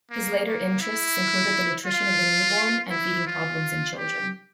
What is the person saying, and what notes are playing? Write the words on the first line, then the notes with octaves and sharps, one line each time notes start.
His later interests included the nutrition of the newborn and feeding problems in children.
A#3
A#3
E4
F4
E4
F4
G4